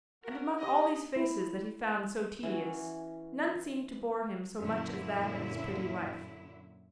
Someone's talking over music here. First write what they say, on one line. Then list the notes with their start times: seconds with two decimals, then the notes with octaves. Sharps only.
And among all these faces that he found so tedious, none seemed to bore him so much as that of his pretty wife.
0.23 F#4 A#4
0.59 G4 D#5
1.16 E4
2.43 E3 C#4 F#4
4.59 F#2 A#2 D3 F#3 E4